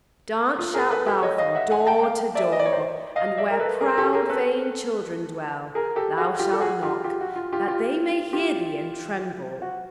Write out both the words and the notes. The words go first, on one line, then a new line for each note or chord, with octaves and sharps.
Dance shalt thou from door to door, and where proud, vain children dwell, thou shalt knock, that they may hear thee and tremble!
F4
G#4 A#4
A4 B4
G4 A4
C#5 D#5
D#5 F5
E5 F#5
F#5 G#5
G5 A5
F5 G5
D5 E5
D#5
D5
C#5
C5 D5
D#5 F5
D5 E5
A#4
A4 B4
G#4 A#4
G4 A4
G#4 A#4
A4 B4
G#4 A#4
G4 A4
F#4 G#4
F4 G4
A4
F#4 G#4
F4 G4
F4 G4
F#4
F4
F4 G4
F4 G4
F4 G4
F#4